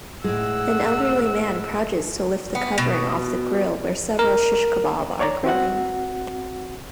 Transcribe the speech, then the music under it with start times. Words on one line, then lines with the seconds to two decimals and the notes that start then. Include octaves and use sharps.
An Elderly man crouches to lift the covering off the grill wear several shish kabab are grilling.
0.24 A2 G#3 F#5 E6
2.55 B3
2.78 B2
4.19 A#4
5.20 C#5 D5 A#5
5.44 C4 F#4 F#5